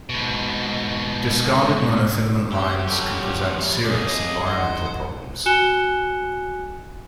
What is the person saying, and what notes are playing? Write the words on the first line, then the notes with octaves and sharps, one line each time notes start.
Discarded monofilament lines can present serious environmental problems.
G#2 B2
C4 C#4 F#4 G4 C5
F3 G3 A4 E6
C#5
C3 F3 G#4 D#5
B1 D#4 C5 F#5
F#4 G#5 F#6 C#7 E7 G7